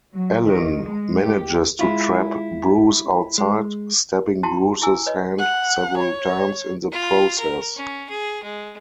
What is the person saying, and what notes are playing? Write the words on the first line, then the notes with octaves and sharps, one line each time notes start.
Ellen manages to trap Bruce outside, stabbing Bruce's hand several times in the process.
F#3
D#3
G#3
G4
G#3 E4 F4
G#3
E4 F#4 G5 A5 C6
E4 G#4 G#5 E6
B4 C#5 D#5
F#5
C#5
F4
A#4
C#4
G#4
G#3